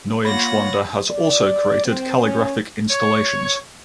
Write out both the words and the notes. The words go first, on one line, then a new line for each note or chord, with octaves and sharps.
Neuenschwander has also created calligraphic installations.
A#3 F4 C#5 F#5 B5 A#6
D5
C4
C#4
C#5